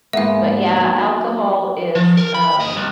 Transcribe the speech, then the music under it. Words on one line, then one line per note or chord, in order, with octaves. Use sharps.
but yeah alcohol is, um
G#2 A#3 B3 E5 F#5
F#3
F3
A#4
B5
G2 D#5
C2